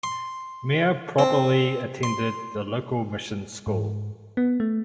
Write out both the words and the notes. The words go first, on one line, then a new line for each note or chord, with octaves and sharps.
Mere probably attended the local mission school.
C6
C4
C6
G#2
B3
A3